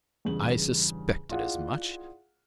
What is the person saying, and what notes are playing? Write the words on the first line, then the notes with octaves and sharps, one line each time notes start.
I suspected as much.
E2 G2 C#3 F#7
E4 F4 G#4 D5 F5 F#5